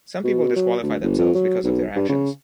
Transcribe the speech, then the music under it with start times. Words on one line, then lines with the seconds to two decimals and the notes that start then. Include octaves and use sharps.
Some people disqualify themselves because of their actions.
0.24 B2
0.56 F#3
0.83 D2
1.02 G1
1.19 F2
1.35 F#3
1.64 B1
1.96 G2
2.09 C#3